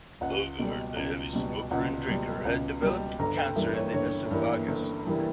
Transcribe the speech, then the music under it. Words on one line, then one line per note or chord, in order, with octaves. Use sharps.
Bogart, a heavy smoker and drinker, had developed cancer of the esophagus.
C#2 F#5
B2 G3
C#2
B2 G3
C#2 F#5
B2 G3
C#2
B2 G3
G1 A#5
G5
G2 E3 G3 A#3 E5
C#5
G1 C#5
G2 E3 G3 A#3
G1
G2 E3 G3 A#3